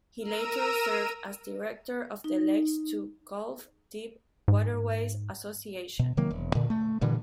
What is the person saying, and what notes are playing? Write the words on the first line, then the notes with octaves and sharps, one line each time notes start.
He later served as director of the Lakes to Gulf Deep Waterways Association.
A#4 A#5 E6 D#7
D#4
G#2
B2
C3 D#3 F#3 A#3
E1
A#2 D3
A3
G2 A#2 D3 E3